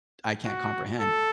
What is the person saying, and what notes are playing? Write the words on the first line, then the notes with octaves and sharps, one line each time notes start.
I can't comprehend.
F#4
A4